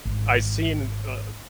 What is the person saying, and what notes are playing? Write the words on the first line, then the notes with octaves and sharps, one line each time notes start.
I seen a
G#1